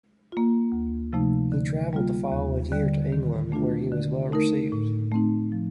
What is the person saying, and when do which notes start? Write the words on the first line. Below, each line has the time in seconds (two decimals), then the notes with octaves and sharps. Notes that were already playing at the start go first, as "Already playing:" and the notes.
He traveled the following year to England, where he was well received.
0.32 A#3 F4
0.72 D2
1.13 C3 F3 A3 D#4
1.52 D3
1.93 G3 A#3 F4
2.32 D#2
2.72 D3 G3
3.12 D#3
3.52 A3 D4 F4
3.92 D3
4.32 A3 D#4 A#4
4.72 A2
5.12 A3 C4 D#4
5.52 F3